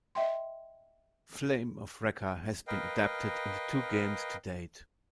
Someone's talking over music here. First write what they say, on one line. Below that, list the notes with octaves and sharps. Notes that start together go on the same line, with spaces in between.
"Flame of Recca" has been adapted into two games to date.
D#5 E5 G5 C6
A#4 B4 D#5 F5 G5